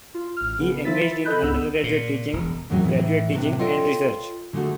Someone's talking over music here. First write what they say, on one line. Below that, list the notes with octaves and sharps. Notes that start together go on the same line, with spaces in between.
He engaged in undergraduate teaching, graduate teaching, and research.
F4
A1 F6
C#3 B3
F3 E4 A6 B6
A4 D#5 B5 F#6 G6
C#2 G#2 B3 E6
A#2
E1
E2 A2 D#3 F#3 C#4
A2 E3 D#4
A2 C3 D4 B4
F4 A4 C#5 D#5 G5
D3 G#3 A3 D4 F#4